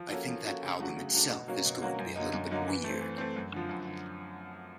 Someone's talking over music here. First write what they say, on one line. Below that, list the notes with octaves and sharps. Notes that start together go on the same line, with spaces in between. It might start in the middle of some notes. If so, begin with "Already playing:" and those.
I think that album itself is going to be a little bit weird.
Already playing: F3
A#3 C#4 F#4 A4
F3
A#3 C#4 F#4 A4
C#3
F#3 A3 D4 F#4
C#3
F#3 A3 D4 F#4
B2
F#3 A#3 C#4 F#4
B2
F#3 A#3 C#4 F#4
F#2
D3 F#3 A#3 D#4
F#2
D3 F#3 A#3 D#4
E3
A3 C4
E3
A3 C4
F#2
D3 F3
F#2
D3